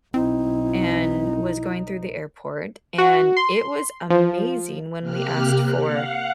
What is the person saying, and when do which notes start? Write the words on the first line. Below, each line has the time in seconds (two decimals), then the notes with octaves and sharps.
and was going through the airport, and it was amazing when we asked for
0.14 B1 C4 D#4 E4
2.98 F#4
3.37 C6
4.10 F3
5.01 C3 A#3 G4 F6 F#6
5.72 F5 F#5